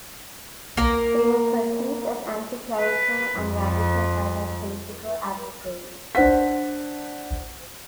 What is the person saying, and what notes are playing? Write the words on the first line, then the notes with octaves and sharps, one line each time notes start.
They were perceived as anti-clerical and radical by their political adversaries.
A#3 A#4
B4
F2
D4 C5 F#5 B6